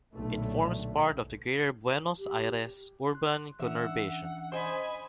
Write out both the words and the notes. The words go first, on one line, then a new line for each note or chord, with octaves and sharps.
It forms part of the Greater Buenos Aires urban conurbation.
B1 F#2 A#2 D3 A3
G4
C6 F#6
E3 C#4 D4 E5 F#5
C5 D#5 G#5 B5